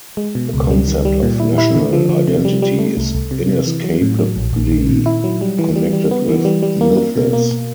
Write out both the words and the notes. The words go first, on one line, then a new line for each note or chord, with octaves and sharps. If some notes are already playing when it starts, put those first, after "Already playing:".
The concept of national identity is inescapably connected with myths.
G#3
B2
C#2
G3
D#3
G3
A#2
E4
E4
D3
F3
F3
C3
G3
G3
A3
C2
C2
C3
C3
E3
F#3
A2
F#3
A#1
A#1
D#3
A#2
E4
F#3
G3
E3
G3
G3
B3
E3
G3
G3
A#3
A#3
B2
A#3